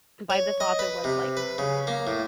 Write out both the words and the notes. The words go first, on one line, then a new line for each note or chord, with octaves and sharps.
by this author was, like,
C#5
D#5
B4
C3
B4
C#3
A#3
A2